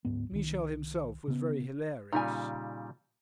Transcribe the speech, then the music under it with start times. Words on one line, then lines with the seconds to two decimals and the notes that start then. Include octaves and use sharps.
Michel himself was very hilarious.
0.05 D1 G#2 B3
0.31 C2 D#3
1.28 C#3 B3
2.13 A#2 C#3 G3 D#4 G#5